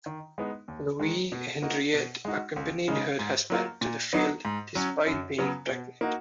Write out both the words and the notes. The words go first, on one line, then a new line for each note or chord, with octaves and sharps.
Louise Henriette accompanied her husband to the field despite being pregnant.
D#3
G#3 B3 D#4
D#2
D#3 G#3
B2
A#3 D#4 F#4
B2
G#3 D#4 F#4
C#2
C#3 G#3 D#4
G#2
F#3 A#3 F4
A#2
F#3 B3 D#4 F#4
G#2
F#3 C#4
F#2
C#3 F#3 B3
B2
A#3 D#4 F#4